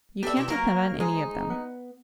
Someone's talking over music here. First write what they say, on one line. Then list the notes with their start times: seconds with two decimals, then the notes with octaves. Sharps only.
You can't depend on any of them.
0.23 G3 B3 A4 E5
0.37 C3 E4 G5
0.48 F#3 A#3 A#4
1.00 G#3 D#4 G#4 C5
1.50 B3